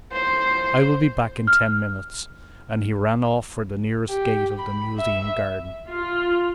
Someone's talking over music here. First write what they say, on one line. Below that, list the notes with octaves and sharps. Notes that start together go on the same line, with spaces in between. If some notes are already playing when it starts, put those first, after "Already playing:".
I will be back in ten minutes.' And he ran off for the nearest gate of the Museum gardens.
C5
F6
G4
B5
E5
F4